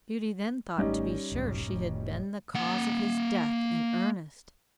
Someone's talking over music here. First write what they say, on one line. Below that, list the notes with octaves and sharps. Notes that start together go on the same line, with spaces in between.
Beauty then thought to be sure she had been the cause of his death in earnest.
G#1 D#2 G3 A3 C#4 D#4
F1 B1 G#2
F1 A2
A#3 F#5